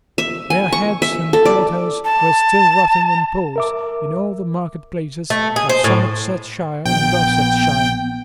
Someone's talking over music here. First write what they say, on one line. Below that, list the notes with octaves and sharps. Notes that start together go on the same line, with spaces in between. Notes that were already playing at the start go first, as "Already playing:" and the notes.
Their heads and quarters were still rotting on poles in all the market places of Somersetshire and Dorsetshire.
E5
G#5
C#6
E5
A4
D5
A5
A#4 E5 D6
A3
G#4
C5
A2
A#1 B3 G5